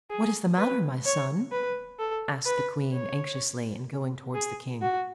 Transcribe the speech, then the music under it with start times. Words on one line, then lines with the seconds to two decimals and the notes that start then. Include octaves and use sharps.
"What is the matter, my son?" asked the queen, anxiously, and going towards the king.
0.10 G#4
0.58 B4
1.05 C#5
1.52 B4
1.99 A4
2.46 B4
2.93 C#5
4.34 G#4
4.81 F#4